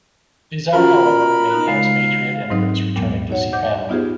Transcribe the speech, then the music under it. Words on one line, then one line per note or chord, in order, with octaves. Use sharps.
These are however mainly expatriate immigrants returning to see family.
C#4 F4 F#4 A#4 B5
D#4 F#6
C#3 G#3 F5 A6
G#2 F#3 C4 D#4 B4
D#2 A#2 F#3 G#3 B3
D#4 F#4 C#5 F#5
C5 D#5 F#5 D6 G6
B3 D#4 F4 G4 G#4 C5